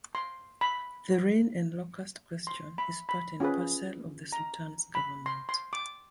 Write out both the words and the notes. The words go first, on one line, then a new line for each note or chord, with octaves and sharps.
The rain and locust question is part and parcel of the sultan's government.
C6
B5
C6
B5
B5
C#4 F4 G#4 B4
A#5
B5
C6
C6
D6